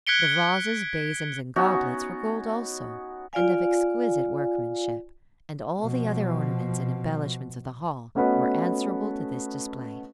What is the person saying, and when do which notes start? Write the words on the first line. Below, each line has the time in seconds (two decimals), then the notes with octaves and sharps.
The vases, basins, and goblets were gold also, and of exquisite workmanship, and all the other ornaments and embellishments of the hall were answerable to this display.
0.07 F#6 G#6 B6 C#7 D7 G7
1.56 B3 C#4 D#4 F#4
3.33 F4 D5 F5 G#5
5.81 B2 F3
8.15 A3 B3 C#4 F#4 B4 D#5